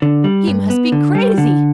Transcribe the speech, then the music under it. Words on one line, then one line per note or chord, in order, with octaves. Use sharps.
He must be crazy.
D3
G3
G2
B3
D3
G3
D3